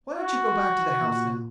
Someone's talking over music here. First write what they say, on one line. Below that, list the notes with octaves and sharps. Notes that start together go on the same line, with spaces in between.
"Why don't you go back to the house now!"
F#4
A#2